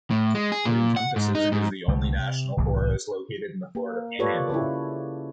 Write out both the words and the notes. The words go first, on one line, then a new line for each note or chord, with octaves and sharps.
It encompasses and is the only national forest located in the Florida Panhandle.
A2
G#3
G#4
A#2
F#5
G#2
D#4
G#2
C2 D3 G3 A3
C3
D1 C2 A2 E3
A#3
F4 G4 A4 B4 C#5 D5
C#3 C#4 E4